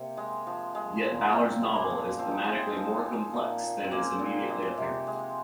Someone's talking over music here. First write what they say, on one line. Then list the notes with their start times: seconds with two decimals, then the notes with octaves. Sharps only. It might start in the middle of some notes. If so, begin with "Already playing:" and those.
Yet Ballard's novel is thematically more complex than is immediately apparent.
Already playing: C3 A#3 C4
0.17 G#3
0.47 F3
0.75 G#3
1.05 A#2
1.33 A#2 C4
1.62 G#3
1.76 A#3
1.90 F3
2.19 F3 C4
2.31 D#4
2.44 G#3 C4
2.77 F3
3.06 G#3
3.34 A#2
3.63 A#2
3.84 C4
3.91 G#3 A#3
4.20 A#2
4.50 G#3
4.77 C3
5.07 G#3